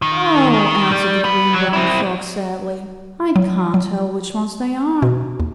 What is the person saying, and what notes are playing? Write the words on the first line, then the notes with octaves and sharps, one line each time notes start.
"Oh," answered the Green Brown Frog sadly, "I can't tell which ones they are."
D#3
G3
B3 B4
F#3
C4 E4
F#3
F#3
B2
D#2